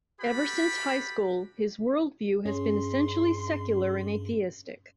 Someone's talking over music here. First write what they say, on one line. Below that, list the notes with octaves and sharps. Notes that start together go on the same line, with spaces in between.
Ever since high school, his worldview has been essentially secular and atheistic.
F#4 G4 A4 B4 B5
G2 C#4 G#4 C6